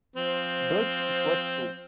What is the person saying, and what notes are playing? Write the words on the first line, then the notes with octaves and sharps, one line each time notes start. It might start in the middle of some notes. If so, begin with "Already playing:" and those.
But it was so.
F3 C4